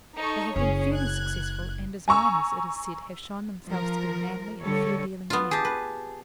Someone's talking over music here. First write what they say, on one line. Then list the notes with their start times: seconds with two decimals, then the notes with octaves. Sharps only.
They have been fairly successful, and as miners, it is said, have shown themselves to be manly and fair-dealing men.
0.18 D#4 A4 C#6
0.56 F#1 C#4 G#4 C#5
0.93 F#6 G#6
2.08 G#5 A#5 C#6 E6
3.67 F3 A#4
4.60 D3 G3 A4 C#5
5.30 B3 F4
5.51 G4 G#4 A5
5.65 B4